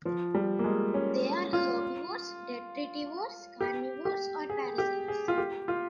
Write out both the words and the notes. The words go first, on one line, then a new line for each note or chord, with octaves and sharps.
They are herbivores, detritivores, carnivores or parasites.
F3
G3
A#3
G#3
C#4
F4
G4
G4
G#4
G4
G#4
F4
G4
F4